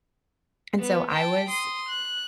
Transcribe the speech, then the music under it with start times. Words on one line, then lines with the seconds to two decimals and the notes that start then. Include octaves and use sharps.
and so I was,
0.79 B3
1.13 G5 A5
1.49 C6 D#6
1.89 F#6